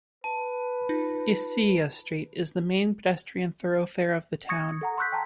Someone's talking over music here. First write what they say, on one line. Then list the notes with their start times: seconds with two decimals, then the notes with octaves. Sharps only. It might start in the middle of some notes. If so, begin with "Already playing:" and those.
Isilla street is the main pedestrian thoroughfare of the town.
0.24 B4 A5
0.89 D#4 F4 A#6
4.49 C#6 D#6 G#6 A#6 C#7
4.81 A4 F#5 A#5
4.98 C6 C#6 E6 F#6 G6 B6
5.12 G5 A5 A#5